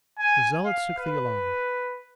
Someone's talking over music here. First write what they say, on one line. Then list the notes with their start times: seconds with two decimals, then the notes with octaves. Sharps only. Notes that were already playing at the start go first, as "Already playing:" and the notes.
The zealots took the alarm.
0.19 G#5
0.66 F5
0.98 B4